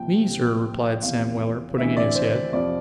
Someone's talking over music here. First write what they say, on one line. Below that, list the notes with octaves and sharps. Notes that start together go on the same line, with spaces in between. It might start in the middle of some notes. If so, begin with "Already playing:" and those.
'Me, Sir,' replied Sam Weller, putting in his head.
Already playing: C2 A#2 F3 G5
C2 A#2 F3
E2 C3 E3 F5
D2 C3 E3 E5
D5
C5
F2 C3 F3 D5